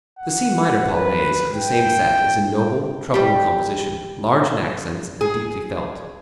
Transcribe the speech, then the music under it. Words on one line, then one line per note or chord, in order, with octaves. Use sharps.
The C minor Polonaise of the same set is a noble, troubled composition, large in accents and deeply felt.
F#5
B4
G5
G3 G4
G#4